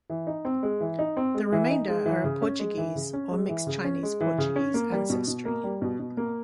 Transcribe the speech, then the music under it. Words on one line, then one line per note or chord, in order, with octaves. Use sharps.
The remainder are of Portuguese or mixed Chinese-Portuguese ancestry.
E3
D#4
C4
G#3
E3
D#4
C4
G#3
E3
D#4
G#3
E3
C#3
C#4
G#3
E3
C#3
C#4
G#3
E3
C#3
C#4
G#3
E3
C#3
C#4
A#3
G3
B2
B2
A#3
G3
B2
B2
A#3